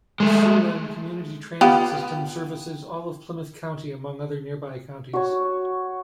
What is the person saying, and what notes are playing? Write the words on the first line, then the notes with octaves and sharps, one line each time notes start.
The Siouxland Community Transit System services all of Plymouth County among other nearby counties.
G#3 A3
B3 F4 G4
F#4 C#5